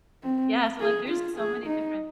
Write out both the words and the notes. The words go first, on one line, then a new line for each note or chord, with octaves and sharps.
Yeah so, like, there's so many different
C4
G#4
F4
G#4
D#4